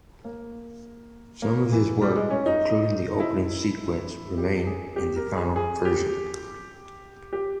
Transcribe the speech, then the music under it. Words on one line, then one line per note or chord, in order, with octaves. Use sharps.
Some of his work, including the opening sequence, remain in the final version.
A#3
A#3
E3
G3
G#3
C#4
D#4
E4
G4
G#4
G4
A#4
G#4
G#4
G4
G4